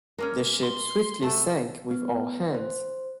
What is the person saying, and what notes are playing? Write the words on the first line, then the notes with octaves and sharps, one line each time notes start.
The ship swiftly sank with all hands.
G#3 A#3 C#4 A#4
C6
C3 A3 C4 A5
B3
C5